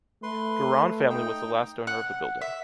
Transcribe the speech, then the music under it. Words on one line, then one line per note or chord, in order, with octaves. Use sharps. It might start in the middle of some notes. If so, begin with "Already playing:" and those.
Duran family was the last owner of the building.
A3 B4 C6
D#4 G5
F#5
E5